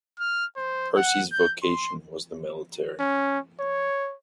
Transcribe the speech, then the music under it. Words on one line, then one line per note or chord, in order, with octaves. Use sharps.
Percy's vocation was the military.
F6
C5
F#5
G6
C6
C#4
C#5